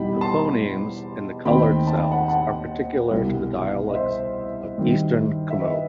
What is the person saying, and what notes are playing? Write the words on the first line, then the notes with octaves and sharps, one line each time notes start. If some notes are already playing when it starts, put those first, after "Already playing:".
The phonemes in the colored cells are particular to the dialects of Eastern Khmu.
Already playing: E2 B2 G3 B3 D#4 G5 B5
A5 C6
D#2 D#3 A3 C4 G5 B5
A5
G5
F#5 A5
F#5 A5
C2 B2 G3
D#5
C5 E5
G2 D#3 F#3
E5
B4 D#5